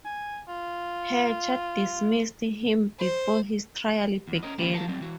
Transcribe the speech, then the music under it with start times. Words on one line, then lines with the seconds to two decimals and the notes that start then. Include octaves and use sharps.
Hatcher dismissed him before his trial began.
0.05 G#5
0.48 F4
2.99 C5
4.28 E2
4.43 C#4 A#4 D#5
4.58 D#3 G3 A#3 C#4 E4 G4
4.73 G4 A#4 F5 A5
4.88 F#3 G3 C4
5.01 E3 F#4